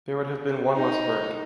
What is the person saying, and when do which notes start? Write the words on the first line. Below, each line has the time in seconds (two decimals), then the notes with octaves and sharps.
There would have been one less burden.
0.76 D#4